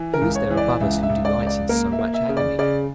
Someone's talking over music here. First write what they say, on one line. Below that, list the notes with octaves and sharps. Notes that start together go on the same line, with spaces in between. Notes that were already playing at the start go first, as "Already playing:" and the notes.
Who is there above us who delights in so much agony?
Already playing: E3
A#4
C#2
C#5
E3
D5
C#2 E5
E5
C#2
D5
C#2
D5
A#3 A#4
E5
A#3
E5
C#3
D5
C#3 D5